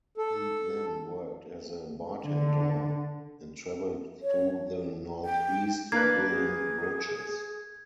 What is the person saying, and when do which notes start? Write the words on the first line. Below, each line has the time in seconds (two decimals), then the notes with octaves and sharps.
He then worked as a bartender and traveled through the Northeast building bridges.
0.18 A4
2.24 D3
4.23 C#5
5.25 G5
5.92 A#3 D4 B4 G#6
6.29 G#4